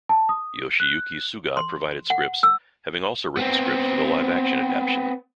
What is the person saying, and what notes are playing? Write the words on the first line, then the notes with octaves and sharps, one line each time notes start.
Yoshiyuki Suga provided scripts, having also written scripts for the Live Action adaption.
A5
D#6
F#6
C6
F#5
E6
B3 C4